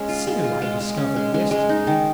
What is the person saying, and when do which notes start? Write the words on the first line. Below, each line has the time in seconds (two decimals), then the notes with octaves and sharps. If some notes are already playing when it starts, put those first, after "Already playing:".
So I discovered yesterday.
Already playing: G#3 C#4
0.09 F4
0.27 G#3
0.44 F4
0.62 G#3
0.81 G#3
0.97 C#4
1.16 G#3
1.34 G#3
1.51 G#3
1.69 D#4
1.87 D#3